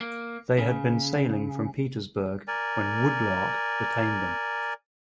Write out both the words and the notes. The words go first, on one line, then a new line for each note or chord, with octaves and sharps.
They had been sailing from Petersburg when "Woodlark" detained them.
A#3
C#3
A#4 D5 G#5